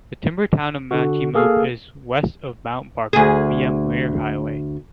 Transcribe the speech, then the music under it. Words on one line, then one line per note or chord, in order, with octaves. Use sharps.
The timber town of Manjimup is west of Mount Barker, via Muir Highway.
D3 F#4
A#3 G#4 A4 F5
D2 G#4